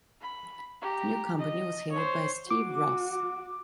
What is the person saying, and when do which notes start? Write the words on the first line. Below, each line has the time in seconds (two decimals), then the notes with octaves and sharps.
The new company was headed by Steve Ross.
0.21 B5
0.82 G4 A#5
1.38 D#5
1.92 C5 C#5
2.50 F#4 D6